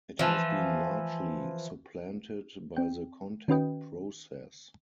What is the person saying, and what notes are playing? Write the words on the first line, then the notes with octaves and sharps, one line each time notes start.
It has been largely supplanted by the contact process.
E3 F3
C4 G5
D#3 C#4 F#4 B4 D#5 G5